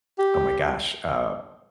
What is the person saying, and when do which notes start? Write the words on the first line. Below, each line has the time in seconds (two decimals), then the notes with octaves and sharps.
oh my gosh, uh,
0.18 G4